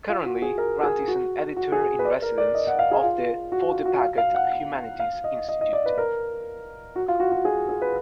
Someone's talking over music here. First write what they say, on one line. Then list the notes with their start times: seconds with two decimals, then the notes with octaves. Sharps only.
Currently, Grant is an Editor-in-Residence of the for the Packard Humanities Institute.
0.09 F4
0.26 F#4
0.42 G#4
0.58 A#4
0.83 G#4
1.08 F#4
1.57 F#4
1.72 G#4
1.99 B4
2.05 D5
2.22 A#4
2.38 D5
2.54 D#5
2.67 F#5
2.79 F5
2.91 G#4
3.03 F4
3.52 F#4
3.69 F4
3.85 F#4
4.01 F5
4.18 F5
4.35 F#5
5.00 F5
5.24 D#5
5.49 D#5
5.61 D#5
5.73 D5
5.86 B4
5.98 A#4
6.96 F#4
7.08 F4
7.20 F#4
7.32 F#4
7.45 G#4
7.69 G#4
7.82 B4